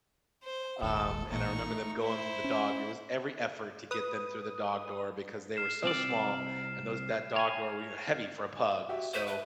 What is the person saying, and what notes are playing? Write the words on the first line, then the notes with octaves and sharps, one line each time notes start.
um, and I remember them going through the dog it was every effort to get them through the dog door because they were so small, and those that dog door w y heavy for a pug, so,
C5
D#1 G#1 D#2 A4
A1 A#2 D#4 C#6
A3
E4 C5
C#4
B4 D#6
F6 C7 E7
C2 C4 D5
C#5 G#5
F#4 G4 E5
C5 C#6 B6 D#7
B4 E5